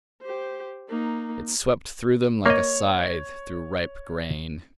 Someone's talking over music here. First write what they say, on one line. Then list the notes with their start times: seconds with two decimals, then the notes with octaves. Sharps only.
It swept through them like a scythe through ripe grain.
0.22 G4 C5
0.89 A#3 D#4
2.46 A#3 C#5 D#5